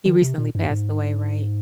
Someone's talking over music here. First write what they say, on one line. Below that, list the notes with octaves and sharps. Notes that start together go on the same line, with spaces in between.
he recently passed away, right,
D#3
C3
A#2
G2
G#2